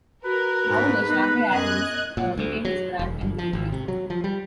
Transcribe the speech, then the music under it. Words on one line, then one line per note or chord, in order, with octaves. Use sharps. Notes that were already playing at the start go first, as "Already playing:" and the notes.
However, Shanghai Airlines retained its brand and livery.
F#4 A#4 B4
G#2
B3 D#4
F#2 D#5 F#6 G#6
A#2
D2
F#3
E1
G1
F3
G#1
C3
F#3
F3
G3